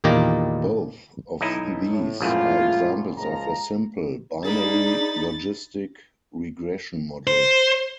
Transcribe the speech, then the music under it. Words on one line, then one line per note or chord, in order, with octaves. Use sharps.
Both of these are examples of a simple, binary logistic regression model.
E2 A#2 D#3 A#3 G4 D#5
B1 D#4 E4
A2
A#1 F#2 A2 G#3 E4 F4
C#2 F3 A#5
A#3 D4 D#4 G#4 B5 A6
C5